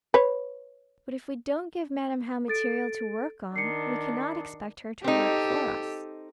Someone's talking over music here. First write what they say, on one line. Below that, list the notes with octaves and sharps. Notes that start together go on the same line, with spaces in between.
But if we don't give Madam How material to work on, we cannot expect her to work for us.
B4 C#5
A4 A6 D7
D#3 D4 C7 C#7
C4 D#4 G4 A4